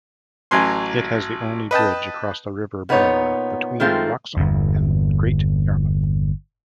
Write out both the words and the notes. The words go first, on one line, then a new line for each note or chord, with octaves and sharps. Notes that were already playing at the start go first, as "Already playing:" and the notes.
It has the only bridge across the River Bure between Wroxham and Great Yarmouth.
A1 F#3 G#5 C6
B4 D#5 G5 A5
A#2 B3 D#4 E4 C#5
D#3 G#3 A3 C4 F4
G1 E2